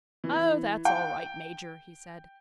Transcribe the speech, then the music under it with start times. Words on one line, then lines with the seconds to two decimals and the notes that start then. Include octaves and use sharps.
"Oh, that's all right, Major," he said.
0.24 E3
0.85 G5